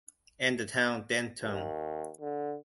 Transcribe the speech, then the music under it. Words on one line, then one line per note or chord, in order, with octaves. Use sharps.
And the town, Denton.
D#2
D3